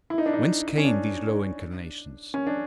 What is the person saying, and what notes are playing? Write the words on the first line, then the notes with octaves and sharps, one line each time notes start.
Whence came these low inclinations?
E4
D#4
D4
D#4
C#4
D4
C#4
D4